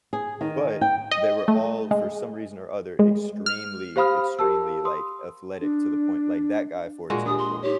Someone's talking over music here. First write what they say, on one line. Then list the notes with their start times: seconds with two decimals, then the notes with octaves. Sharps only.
But they were all, for some reason or other, extremely, extremely, like, athletic to the point like that guy, for example,
0.13 G#4
0.41 D#3
0.81 G5
1.11 D#5
1.48 A3
1.91 G#3
2.99 G#3
3.46 F6
3.96 G4 C5 F5 B5 D#6 F6
4.39 G4 A#4 A5 E6
4.85 C6 D#6
5.61 D4
7.10 A#2 G#3 F#4
7.26 D4 G4 G#5 D#6
7.38 C6
7.63 D#4 G4 C#5